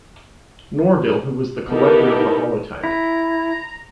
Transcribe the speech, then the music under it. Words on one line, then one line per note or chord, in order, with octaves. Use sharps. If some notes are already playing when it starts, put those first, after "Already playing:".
Norville who was the collector of the holotype.
B3 D#4 E4 G4 A4 A#4
E4 A#5